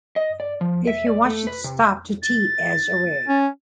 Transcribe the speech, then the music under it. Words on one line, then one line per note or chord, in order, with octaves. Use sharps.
If he wants you to stop to tea, edge away.
D#5
D5
F3
E5
D5
A3
B4
C3
A6
C#4